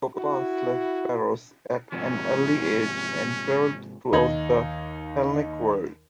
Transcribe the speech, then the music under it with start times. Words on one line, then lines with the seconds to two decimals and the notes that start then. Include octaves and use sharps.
Skopas left Paros at an early age and travelled throughout the Hellenic world.
0.16 E4 F#4
1.92 G#2 C3 F3 C#4
4.12 D#2 D#4 G#6 F#7